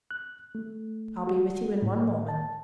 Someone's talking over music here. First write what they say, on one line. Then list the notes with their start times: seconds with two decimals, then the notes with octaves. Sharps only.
I'll be with you in one moment.
0.11 F#6
0.55 A3
1.27 F#4
1.82 A2
2.29 A5